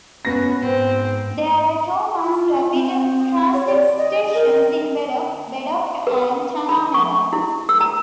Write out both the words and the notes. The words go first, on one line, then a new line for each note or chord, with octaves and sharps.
There are two Mass Rapid Transit stations in Bedok, Bedok and Tanah Merah.
B3 C#4 F#4 B4 A#6
G#2 C4
F4
C4
C#5
D5
D#5
A#4
B4
B5
C#6
E4
E6
A#5